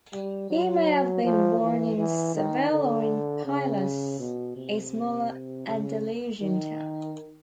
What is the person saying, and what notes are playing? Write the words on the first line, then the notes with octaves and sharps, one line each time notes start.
He may have been born in Seville or in Pilas, a smaller Andalusian town.
G3
F#3
F3
E3
E3
D#3
D3
C#3
B2
C3
C#3
D#3